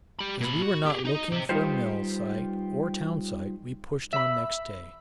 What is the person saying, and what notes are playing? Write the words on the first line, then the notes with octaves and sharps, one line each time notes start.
As we were not looking for a mill site or town site, we pushed on next day.
G4 B5
A#2 B5
F#4
G4 G#4
D#4 D#5
C3 C5
G3 D#4 F4 G4 B4 C5
E5 B5